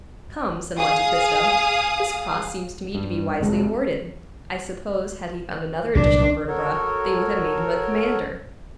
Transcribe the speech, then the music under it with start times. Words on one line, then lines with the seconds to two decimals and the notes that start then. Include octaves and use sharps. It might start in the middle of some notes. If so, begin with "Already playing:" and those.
"Come," said Monte Cristo, "this cross seems to me to be wisely awarded. I suppose, had he found another additional vertebra, they would have made him a commander."
0.78 G#4 F5 D#6
2.95 G2
3.40 F1 C3 G#3
5.95 C2 A#2 F#3 D4
6.48 F#4 A4 A#4 C#5